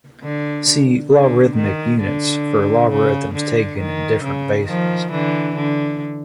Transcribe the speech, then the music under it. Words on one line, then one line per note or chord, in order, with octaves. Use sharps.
See logarithmic units for logarithms taken in different bases.
D3
D3
D#3
D3
C#3
D3
D#3
C#3
D#3 F3
D3 E3
D3